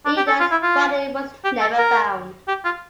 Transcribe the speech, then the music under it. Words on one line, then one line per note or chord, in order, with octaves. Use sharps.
Ida's body was never found.
D4
G4
A4
F4
E4
F4
G4
A4
A#4
G4
F4